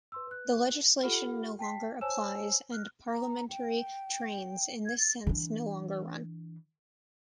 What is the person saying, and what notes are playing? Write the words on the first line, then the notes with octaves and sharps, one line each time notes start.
The legislation no longer applies and "parliamentary trains" in this sense no longer run.
B4 C6 E6
B4 F#6
F4 G4 A4 F#5 B5 F6
G5 A5 B6 C7
C5 C#5 G#5 A5 E6 E7
F6 F#6
A#5
G5
G#6
A6
E3 D4